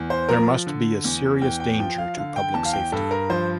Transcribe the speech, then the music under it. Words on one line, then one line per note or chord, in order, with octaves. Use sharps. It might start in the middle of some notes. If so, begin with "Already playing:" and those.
There must be a serious danger to public safety.
Already playing: E2
C5
F3 A#4
D3
E2
E2 G5
G5
F3 G5
F5
D3 F5
G5
E2 A5
F5
G5
G2 A4
A#4
F3 C5